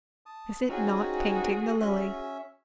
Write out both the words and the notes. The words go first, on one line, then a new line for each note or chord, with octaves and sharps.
Is it not painting the lily?
A5 D#6
C4 C#4 D#4 F#4 G#4
C#4 E5